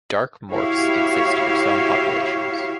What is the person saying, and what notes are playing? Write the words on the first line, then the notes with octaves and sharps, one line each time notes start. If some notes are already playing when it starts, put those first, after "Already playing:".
Dark morphs exist for some populations.
E4 F#4 G4 C#5 E5 F5